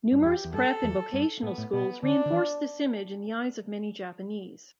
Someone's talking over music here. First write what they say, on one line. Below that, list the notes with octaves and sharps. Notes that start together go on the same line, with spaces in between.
Numerous prep and vocational schools reinforce this image in the eyes of many Japanese.
G2
E2 G4
E2
G2 A4
E2
G2
A2 B3
A2
B2 B3
D3 D4
D3
E3